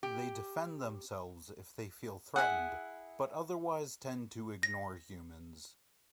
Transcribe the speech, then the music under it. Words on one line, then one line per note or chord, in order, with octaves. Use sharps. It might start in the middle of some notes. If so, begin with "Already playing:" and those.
They defend themselves if they feel threatened, but otherwise tend to ignore humans.
G4
E4 F#4 G#4 F#5
A#6